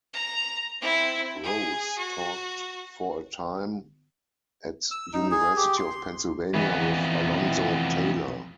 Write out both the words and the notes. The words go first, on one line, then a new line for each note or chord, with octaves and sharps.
Rose taught for a time at University of Pennsylvania with Alonzo Taylor.
A#5
C4 E4
G#4
F#4
E6
D#4
G#4
G4
C6
F2 E3 B3